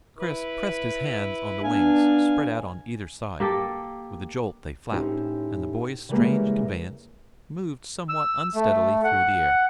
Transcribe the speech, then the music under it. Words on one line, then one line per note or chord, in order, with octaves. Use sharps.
Chris pressed his hands on the wings spread out on either side, with a jolt they flapped, and the boy's strange conveyance moved somewhat unsteadily through the air.
E4 B4
B3 D4 F5 G#5
A#3 G4 A4
A2 C#4 D#4 G4 C5
C#3 E3 G3 G#3 A#3 B3
E6
A3
F#5